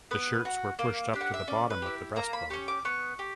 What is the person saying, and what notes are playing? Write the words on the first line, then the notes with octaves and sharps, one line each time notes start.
The shirts were pushed up to the bottom of the breastbone.
B3 B4
F#4
A#3
D4 G4
F#5
E5
C#4 D5
B4
E4 G4
A#3 A#5
B5
C#4 G4 C#6
D6
B3 C#6
G4